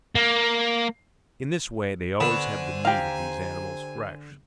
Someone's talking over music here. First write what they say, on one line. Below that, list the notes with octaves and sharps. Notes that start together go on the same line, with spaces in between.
In this way they always have the meat of these animals fresh.
A#3
D3 B3 F#4 C5 G#5
G4 F5 A#5